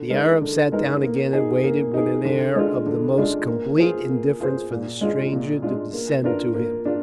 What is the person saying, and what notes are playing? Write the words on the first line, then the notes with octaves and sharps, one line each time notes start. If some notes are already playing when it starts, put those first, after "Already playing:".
The Arab sat down again and waited with an air of the most complete indifference for the stranger to descend to him.
Already playing: D3
G#3 D#4 A#4
D3
G#3 D#4 A#4
A#3
D#4 G#4
A#3
D#4 G#4
D3
G#3 D4 F4
D3
G#3 D4 F4
A#3
F4 G#4 C5
A#3
F4 G#4 C5
A#2
G#3 D4 F4
A#2
G#3 D4 F4
A#3
D4 F4 A#4
A#3
D4 F4